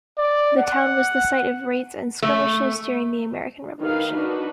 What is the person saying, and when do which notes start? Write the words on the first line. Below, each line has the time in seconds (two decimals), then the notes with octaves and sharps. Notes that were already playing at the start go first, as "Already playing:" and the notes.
The town was the site of raids and skirmishes during the American Revolution.
0.18 D5
0.57 F#5
2.22 A3
3.80 D#3 D#4 B4 F5
4.11 D4 D#4 F#4 B4